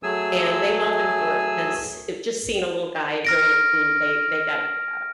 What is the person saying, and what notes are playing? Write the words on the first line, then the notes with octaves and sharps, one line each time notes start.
and they loved him for it because it just seeing a little guy enjoy your food, they they got a kick out of it.
F#3 A3 G#4 G#5 E6
F6 A#6 D7